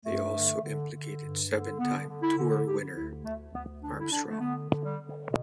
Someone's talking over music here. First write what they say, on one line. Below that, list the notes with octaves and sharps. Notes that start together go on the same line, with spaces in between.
They also implicated seven-time Tour winner Armstrong.
G2 A3
D3
D3
D3
G2
D3
D3 B3
D3
E4
D3
D3 G4
D2 E4
D2 A3
D2 B3
D3 D4
E4
D3 D4
A3
D3 B3
D3
G3
D3
B2